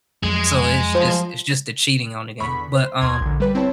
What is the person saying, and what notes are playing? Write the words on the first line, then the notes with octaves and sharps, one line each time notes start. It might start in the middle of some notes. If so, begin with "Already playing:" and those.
So it's just it's just the cheating on the game. But, uh,
F2 F#3 G#3 G#4
F3 C5
E2 D3 B5 C#6 B6
C5
D#2 A#5 C6 G#6
A#1 D3
G3 B4
C4 E4 C#5 A5